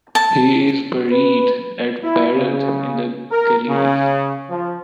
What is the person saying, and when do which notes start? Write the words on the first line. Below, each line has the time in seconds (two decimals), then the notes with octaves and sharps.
He is buried at Parod in the Galilee.
0.15 A5
1.11 B4
2.03 E4
2.34 C#3
3.30 A#4
3.68 C#3
4.50 F3